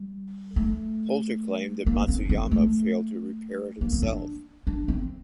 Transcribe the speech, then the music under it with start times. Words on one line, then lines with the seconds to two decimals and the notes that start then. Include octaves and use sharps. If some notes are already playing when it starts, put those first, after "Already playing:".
Poulter claimed that Matsuyama failed to repair it himself.
Already playing: G3
0.56 A3
1.86 A#3
2.08 C4
2.25 D4
2.29 C4
2.51 A3
3.81 A#3
3.92 C4
4.02 D4
4.67 D4
4.88 C4